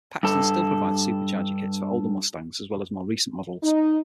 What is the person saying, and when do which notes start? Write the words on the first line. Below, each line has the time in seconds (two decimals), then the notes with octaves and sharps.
Paxton still provides supercharger kits for older Mustangs as well as more recent models.
0.23 G2 A4
3.62 D#4